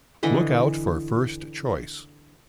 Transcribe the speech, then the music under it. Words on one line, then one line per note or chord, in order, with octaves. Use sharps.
Look Out for First Choice!
D3 E3 D#5 B5